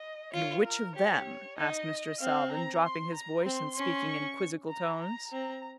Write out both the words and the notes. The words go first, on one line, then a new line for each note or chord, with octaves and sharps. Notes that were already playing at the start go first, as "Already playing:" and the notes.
"And which of them ...?" asked Mr. Salvin, dropping his voice and speaking in quizzical tones.
Already playing: D#5
F4 C#5
A#4
G4 C#5
D#4 D#5
C4 F5
A#5
C6
A#5
C4 C6
C#4
C#6
A#5
A#5
C4 A#5